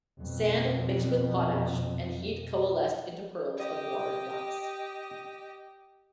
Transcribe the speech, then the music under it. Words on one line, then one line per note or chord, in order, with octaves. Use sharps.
Sand mixed with potash and heat coalesced into pearls of water glass.
F2 B2
G4 D#5